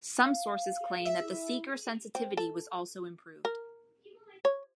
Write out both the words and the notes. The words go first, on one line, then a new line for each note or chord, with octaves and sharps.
Some sources claim that the seeker sensitivity was also improved.
F5
E5
E4
C4
A4
A#4
C#5